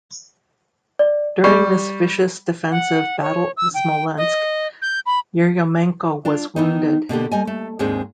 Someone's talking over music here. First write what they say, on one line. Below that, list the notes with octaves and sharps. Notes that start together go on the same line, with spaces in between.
During this vicious defensive Battle of Smolensk, Yeryomenko was wounded.
D5
G3 C#6
F#5
C#5
E6
G5
D#5
G6
B5
D4 F4
D#3 B3 D#4
B2 D3 A#3 G4
G3 D#5 G#5
A3
D#2 G#2 G#3 C4 D4 G#4